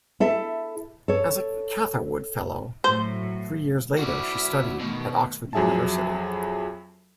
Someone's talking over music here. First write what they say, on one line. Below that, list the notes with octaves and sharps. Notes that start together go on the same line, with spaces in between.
As a Catherwood Fellow three years later, she studied at Oxford University.
E4 A4 E5
A4 C#5
A2 F#3 C5
E4 F#4 D5
B2 D#3 A3
F2 F#3 G#4 E5 G#5 A5